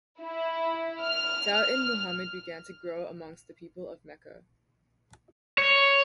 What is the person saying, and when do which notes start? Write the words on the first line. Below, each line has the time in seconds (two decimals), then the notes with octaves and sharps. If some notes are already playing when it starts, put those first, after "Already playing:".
Doubt in Muhammad began to grow amongst the people of Mecca.
0.20 E4
1.03 F6
5.58 C#5